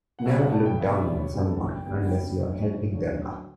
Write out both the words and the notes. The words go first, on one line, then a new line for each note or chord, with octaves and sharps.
Never look down on someone unless you're helping them up.
F#5
B1 B2 G3 B3 D4 E5
F#5
A5
G5
B1 B2 G3 B3 D4 E5
E5
D5
C#5
F#1 F#2 D3 G3 B3 G4
A4
G5
F#1 F#2 D3 G3 B3 G5
F#5
G5
D2 D3 F#3 C#4
D2 D3 F#3 C#4